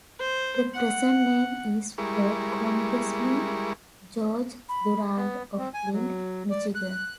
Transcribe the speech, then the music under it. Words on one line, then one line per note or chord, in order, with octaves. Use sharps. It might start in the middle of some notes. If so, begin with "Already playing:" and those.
The present name is for congressman George Durand of Flint, Michigan.
C5
F#5
G3 G#3 E4 A#4 C#6
B5
B3
C4
G#5
F#3
D5
F#6